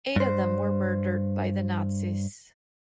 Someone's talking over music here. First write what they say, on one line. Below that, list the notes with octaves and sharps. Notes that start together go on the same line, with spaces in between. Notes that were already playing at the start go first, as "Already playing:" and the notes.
Eight of them were murdered by the Nazis.
G2 C5